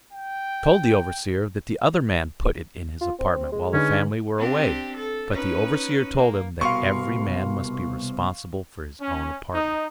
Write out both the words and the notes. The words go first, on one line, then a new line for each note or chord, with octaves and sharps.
He told the overseer that the other man put it in his apartment while the family were away, but the overseer told him that every man must be responsible for his own apartment.
G5
F4
C4
G#3
D3 C#4 D#4 B4
C4 D4 G4
A4
C#4 D#4 B4
A#3
C2 B2 F5 C6 C#6
C#4
D#4